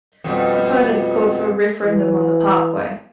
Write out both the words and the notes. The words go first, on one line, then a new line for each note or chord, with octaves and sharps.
Opponents called for a referendum on the parkway.
F2 B2 G3
E3